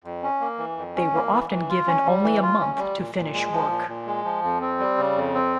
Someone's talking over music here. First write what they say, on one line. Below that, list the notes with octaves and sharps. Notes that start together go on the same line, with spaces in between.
They were often given only a month to finish work.
F2
C#4
A#3
E3
F2
C#4
A#3
E3
E3
F4
C#4
G3
E3
F4
C#4
G3
A#2
A#2
G#3
F3
A#2
A#2
G#3
F3
F2
C4
G3
C#3
F2
C4